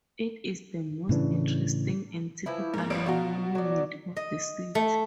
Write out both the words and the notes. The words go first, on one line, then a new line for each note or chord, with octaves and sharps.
It is the most interesting and typical monument of the city.
A2 C#3 E3 D4
E3 F3 E4
G#2 A#3 A#4
A1 G2 B3 E4 F4 D7
B2 F4 F#4 A#5
F#3 D5
D#5
A3